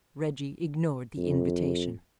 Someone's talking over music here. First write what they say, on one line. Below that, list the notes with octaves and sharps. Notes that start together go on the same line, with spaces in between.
Reggie ignored the invitation.
F2